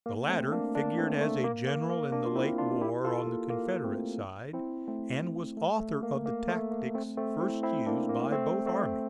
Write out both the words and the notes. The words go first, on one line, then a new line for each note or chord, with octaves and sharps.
The latter figured as a general in the late war, on the Confederate side, and was author of the tactics first used by both armies.
A#3
A3 C4
A#3 D4
A#3 D4
A3 C4
A3
A#3
A#3
A#3
A#3 D4
F4
C4 E4
D4 F4
E4 G4
F4 A4
A#3
A#3
A3 C4
C4 E4
A3 C4
A3
A3
A#3
A#3
A3
A#3
A3 C4
A3 C4
C4 E4
C4 E4
A#3 D4
A#3
A3 C4
A3 C4